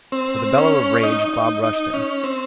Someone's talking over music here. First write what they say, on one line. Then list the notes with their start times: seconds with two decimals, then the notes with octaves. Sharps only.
With a bellow of rage, Bob rushed him.
0.12 C4
0.58 C#4
1.03 D#4
1.33 D#4
1.63 D#4
1.93 C#4
2.24 C4